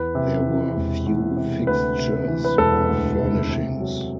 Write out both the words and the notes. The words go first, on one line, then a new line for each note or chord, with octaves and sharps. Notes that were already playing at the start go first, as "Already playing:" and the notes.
There were few fixtures or furnishings.
Already playing: E2 B4
C3
E3
E1
E2
C3
D2 B4
C3
E3
B4
E1 A4
D2
C3
C3
F#3